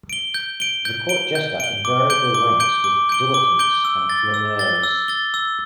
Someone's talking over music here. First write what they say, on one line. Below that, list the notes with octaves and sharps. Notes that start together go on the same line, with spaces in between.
The court jester invariably ranks with dilettantes and flaneurs.
D7 G7
G6
D7 G7
G6
D7 G7
G6
D7 G7
D6
G6 D7 G7
D6
G6 D7 G7
D6
G6 D7 G7
D6
G6 D7 G7
E6
A6 G7
E6
A6 G7
E6
A6 G7
E6